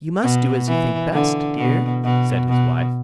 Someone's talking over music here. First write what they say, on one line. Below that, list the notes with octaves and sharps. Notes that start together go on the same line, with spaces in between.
'You must do as you think best, dear', said his wife.
B2
E3
D3
B2
B2
B2